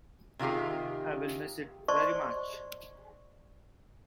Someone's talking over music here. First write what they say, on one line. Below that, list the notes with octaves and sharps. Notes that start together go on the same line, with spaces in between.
I will miss it very much.
C3 D#3 F4 G4 G#4
C5 D5 D#5 A5 C6 C#6